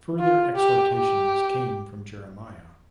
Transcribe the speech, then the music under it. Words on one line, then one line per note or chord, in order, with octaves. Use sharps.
Further exhortations came from Jeremiah.
F4
G4
G4